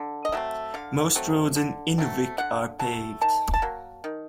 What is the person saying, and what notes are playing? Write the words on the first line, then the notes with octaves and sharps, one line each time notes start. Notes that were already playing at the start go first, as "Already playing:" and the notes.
Most roads in Inuvik are paved.
Already playing: D3
D#5
F#3 A3 C4 E5
D3 F5
F#3 A3 C4
D3
F#3 A3 C4
D3 F#5
F#3 A3 A5
D#3 A5
A5
F#3 A#3
D#3